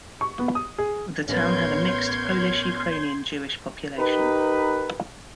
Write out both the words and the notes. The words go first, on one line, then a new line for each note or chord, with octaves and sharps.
The town had a mixed Polish-Ukrainian-Jewish population.
C#6
B3
D#6
G#4
A1 B3 A#4 C#5 C6 G6 G#6
D#4 G4 A#4 B4